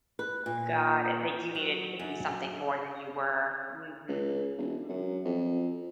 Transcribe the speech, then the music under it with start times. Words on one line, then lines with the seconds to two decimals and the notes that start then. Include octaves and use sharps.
Got it, that you needed to be something more than you were, mhm, mm.
0.19 B4
0.46 A#2
1.55 F#3
1.99 F#2
4.09 C#2
4.58 E1
4.89 F#2
5.25 F2